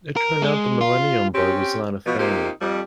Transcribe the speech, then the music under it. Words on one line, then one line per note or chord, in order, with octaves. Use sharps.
It turned out the millennium bug was not a thing.
A#4
G#3
F4
C4 C#4 G4
B2 F3
C3 A#3 C4 D#4 F4 G4
F2 G3